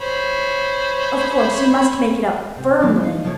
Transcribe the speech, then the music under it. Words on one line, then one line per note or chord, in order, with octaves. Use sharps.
Of course, you must make it up FIRMLY.
C5 C#5 B5
C3
B2 D#3 E3 F#3 C4
D#4 G#4 F5
C#3 F3 A3 A#3 C#5